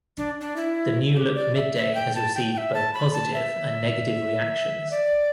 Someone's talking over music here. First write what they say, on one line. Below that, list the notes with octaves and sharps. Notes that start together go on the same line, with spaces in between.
The new look Mid-Day has received both positive and negative reactions.
D4
D4
E4
G4
D5
E5
E5
G5
A5
G5
G5
E5
A5
B5
A5
E5
D5